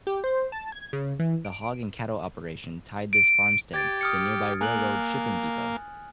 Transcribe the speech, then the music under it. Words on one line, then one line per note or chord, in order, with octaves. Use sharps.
The hog and cattle operation tied this farmstead to the nearby railroad shipping depot.
G4
C5
A5
G#6
C#3
E3
D7
D7
G4 G#6 A6 D7
D#6 F6 C#7
A#3 G#5 F#6 F#7